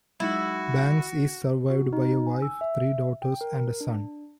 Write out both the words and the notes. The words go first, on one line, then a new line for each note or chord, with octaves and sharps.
Banks is survived by a wife, three daughters and a son.
F#3 G#3 D#4 E4 F#4
F#4
D#4
G#5
E6
E5
G5
A#4
D4